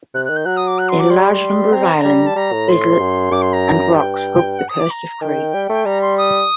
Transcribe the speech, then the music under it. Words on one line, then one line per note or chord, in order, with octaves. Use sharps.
A large number of islands, islets, and rocks hug the coast of Crete.
C3 F#6
D#3 F#6
G6
F#3 F#6
D#6
D6
F#6
C6
D6
G3 C6
C4 A#5
G3
A5
G3 A#5
A2
C6
F#2
F#2 D6
C6
A#5
G2 G5
F#5
D#6
D6
A#5
D#3 G5
G3
A3
G3 A#5
C6
D#6